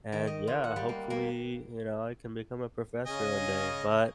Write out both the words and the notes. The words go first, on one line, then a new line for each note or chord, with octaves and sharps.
and, yeah, hopefully, you know, I can become a professor one day, but,
D#3
D#5
F4
F#5
G3
A#3
A#3
C#3 D#5 G#5